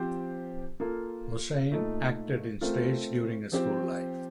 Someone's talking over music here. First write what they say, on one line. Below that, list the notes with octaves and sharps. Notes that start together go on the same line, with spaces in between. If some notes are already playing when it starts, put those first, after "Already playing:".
Hossain acted in stage during his school life.
Already playing: F3 C4 G4 C5
A#3 F4 A4
A#2 A3 D#4 A4
A3 C4 F4 A#4
F3 C4 G4